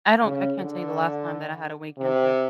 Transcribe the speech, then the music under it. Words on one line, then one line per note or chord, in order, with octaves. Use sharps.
I don't I can't tell you the last time that I had a weekend trip.
C#3
D3
C3